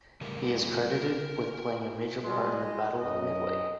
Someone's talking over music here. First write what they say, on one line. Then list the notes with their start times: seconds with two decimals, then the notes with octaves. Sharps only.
He is credited with playing a major part in the Battle of Midway.
0.21 C#3 G3 A3 A#4
0.91 A#4
2.24 B2 G3 G#3 F4
2.58 D#5
2.99 F#2 D#5